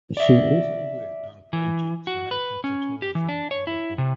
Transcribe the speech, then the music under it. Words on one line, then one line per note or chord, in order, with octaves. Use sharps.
She also worked on projects related to tourism and the Port.
D5 E5
E3
F#4
B4
C#4
G4
E3
D4
C#5
E4
C3